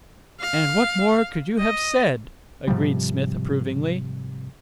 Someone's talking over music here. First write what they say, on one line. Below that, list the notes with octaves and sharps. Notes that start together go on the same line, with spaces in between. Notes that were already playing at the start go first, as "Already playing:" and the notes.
"And what more could you have said?" agreed Smith approvingly.
F5
D#5
G#2 C3 F3 G3